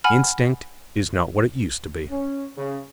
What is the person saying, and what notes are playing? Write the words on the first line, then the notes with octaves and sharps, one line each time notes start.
Instinct is not what it used to be.
F#5 G#5 B5 F6
C#4
C#3